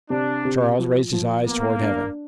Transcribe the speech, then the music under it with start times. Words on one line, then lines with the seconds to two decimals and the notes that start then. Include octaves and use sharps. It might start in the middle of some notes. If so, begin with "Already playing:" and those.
Charles raised his eyes towards heaven.
0.10 C3 D4
0.45 C3
0.79 F3
1.13 F3
1.47 A#3 B3
1.82 D4